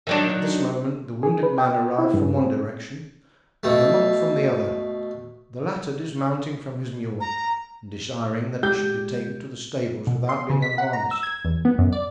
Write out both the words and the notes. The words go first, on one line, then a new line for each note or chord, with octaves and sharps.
At this moment the wounded man arrived from one direction and the monk from the other, the latter dismounting from his mule and desiring that it should be taken to the stables without being unharnessed.
D#3 F#3 D4
G#4
B4
G5
E4
G2
C4
B2 A3
A#5
G#3 G4 G6
B2
C6
C#3
B6
F#5
A#5
E6
G#6
E2
B3
F#2
D5